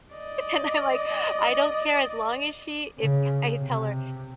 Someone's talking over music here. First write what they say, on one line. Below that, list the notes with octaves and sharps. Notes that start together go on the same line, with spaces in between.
And I'm, like, "I don't care as long as she if" I had to tell her,
D5 D#5
C#3
C3